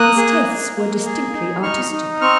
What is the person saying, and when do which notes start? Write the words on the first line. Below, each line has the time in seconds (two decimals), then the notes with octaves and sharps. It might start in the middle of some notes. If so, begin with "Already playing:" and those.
His tastes were distinctly artistic.
Already playing: A#3 D#6 F#6
0.17 G#4
0.47 A#3
0.76 A#3
1.05 G#4
1.34 D#4
1.63 D#4 C#6 F6
1.92 D#4
2.21 C4 C#6 F6